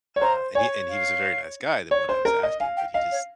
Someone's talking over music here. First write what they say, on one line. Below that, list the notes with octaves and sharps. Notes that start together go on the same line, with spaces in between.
uh, and he and he was a very nice guy, the one I was asking, but he just
C#5
C5 A#5
C#5 G#5
F5
C#5
C5
A#4
D#5
F5 G#5
G5
D#5 F5
C#5